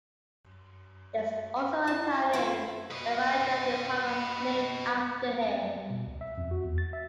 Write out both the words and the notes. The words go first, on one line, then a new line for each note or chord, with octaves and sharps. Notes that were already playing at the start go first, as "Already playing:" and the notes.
There is also a town in Lavalleja Department named after him.
E4 A5
E4 F4 C5
B4 D#5
C4
D5
G3
B2
C#2
E5
F2
F#4
E2
A6
E5